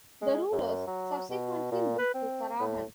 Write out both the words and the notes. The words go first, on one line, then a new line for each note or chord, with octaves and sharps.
The rulers subsequently moved to Sarahan.
G#3
F#2
F#3
B2
A#2
B4
C4
A2